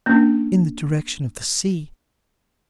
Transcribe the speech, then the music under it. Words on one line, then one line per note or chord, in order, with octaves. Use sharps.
"In the direction of the sea."
A#3 C#4 D4